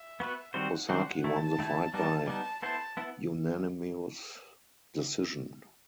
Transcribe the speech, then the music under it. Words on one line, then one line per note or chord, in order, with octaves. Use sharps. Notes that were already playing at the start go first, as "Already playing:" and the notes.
Osaki won the fight by unanimous decision.
Already playing: E5
B3 F#4 B4
D#3 G3 C4 F#4 C5 F#5
D#3 G3 C4 F#4 C5
D#3 A3 E4 A5
D#3 A3 E4
G3 B3 D#4 A5
G3 B3 D#4 A5
B3 E4 A4 C5 A5
B3 E4